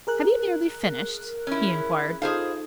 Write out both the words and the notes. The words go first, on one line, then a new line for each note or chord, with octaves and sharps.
"Have you nearly finished?" he inquired.
G#4 A#4 F#6
C#4 E4
D#4 F4 G#4 A4 C5 F5